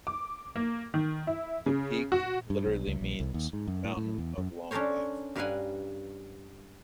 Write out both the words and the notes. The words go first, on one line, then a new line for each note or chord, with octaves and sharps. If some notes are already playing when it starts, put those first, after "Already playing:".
The peak literally means 'Mountain of long life'.
D6
A#3
D#3
E4
C#3
F#4
G2
B1
C#2
A#1
C2
D#2
G#2
F#2
A2
A2
E2
F#2
C#4 D4 A4 A#4 C5 C#5
G2 A#4 B4 F5 F#5 G#5